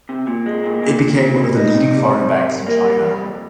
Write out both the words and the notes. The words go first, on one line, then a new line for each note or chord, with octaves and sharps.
It became one of the leading foreign banks in China.
C3
A#2
G#3
A#2
A#2
A#2
A#2
A#2
D#4
C3
G3
C3
C2
C2
A#3
G3
C2
F2